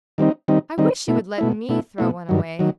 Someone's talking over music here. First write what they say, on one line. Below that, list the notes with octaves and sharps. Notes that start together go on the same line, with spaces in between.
"I wish you would let me throw one away."
D#3 G3 C4 D#4
D#3 G3 C4 D#4
D#3 G3 C4 D#4
B2 A3 E4
B2 A3 E4
B2 A3 E4
B2 A3 E4
G2 D#3 F#3
D#3 F#3